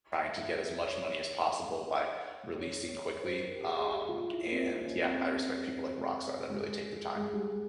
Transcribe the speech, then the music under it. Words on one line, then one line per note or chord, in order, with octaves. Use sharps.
trying to get as much money as possible by releasing quickly. Um, and, yeah, I respect people like Rockstar that really take their time.
E5
E5
E5
C#5
C#5
C#5
C#5
C5
A#4
G4
G#4
G#4
G4
F4
E4
A#3
C4
C4
C#4
C4
G#3
G#3
G3
G#3